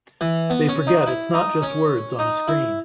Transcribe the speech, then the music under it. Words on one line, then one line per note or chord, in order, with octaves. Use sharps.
They forget it's not just words on a screen.
E3
B3
C#4
D#4
E4
D#4
C#4
D#4
E4